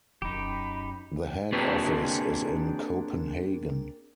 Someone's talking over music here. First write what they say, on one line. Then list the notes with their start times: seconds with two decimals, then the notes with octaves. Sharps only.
The head office is in Copenhagen.
0.22 E1 F#2 D#4 G4 B5
1.52 A#3 C4 D4 F#4 G#4 B4